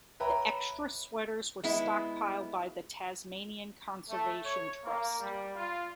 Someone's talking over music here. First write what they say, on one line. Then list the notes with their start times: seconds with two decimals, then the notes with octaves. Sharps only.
The extra sweaters were stockpiled by the Tasmanian Conservation Trust.
0.20 B4 C#5 E5 G5 A#5 B5
1.63 G#3 B3 E4
4.10 A3
4.44 C#5
4.85 A#3
5.20 G3
5.54 F4